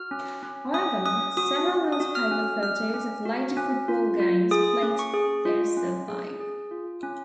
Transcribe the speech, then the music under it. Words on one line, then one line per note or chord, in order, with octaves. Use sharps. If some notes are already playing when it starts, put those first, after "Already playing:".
However, several newspaper photos of later football games played there survive.
Already playing: F#4 F6
C#4
C#4
C#4 D#6
C#4 D#6
F#4 D#6
C#4
D#6
F#4
F6
C#4
F6
C#4 F6
C#4
F#4
C#4
F4
F4
G#4 D#6
C#4
C#6
G#4
F4
C#4
G#4
G#4
F4
C#4